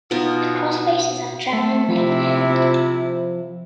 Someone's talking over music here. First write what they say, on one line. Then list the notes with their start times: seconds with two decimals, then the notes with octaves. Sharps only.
The cross base is at Trevellan Lane End.
0.11 B2 D#4 F4
1.49 A3
1.88 C3 F3 E4